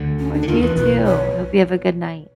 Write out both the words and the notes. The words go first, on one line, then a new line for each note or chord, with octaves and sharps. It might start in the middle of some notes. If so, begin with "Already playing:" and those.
Of course, you too! I hope you have a good night.
Already playing: D2 D3
C#4
D4
D3
D#2 D#3 F4
E2 E3 B4
B1 B2 B4
C#5